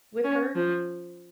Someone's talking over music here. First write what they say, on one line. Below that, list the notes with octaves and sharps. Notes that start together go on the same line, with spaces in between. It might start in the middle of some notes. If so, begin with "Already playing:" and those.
with her.
C#4
F3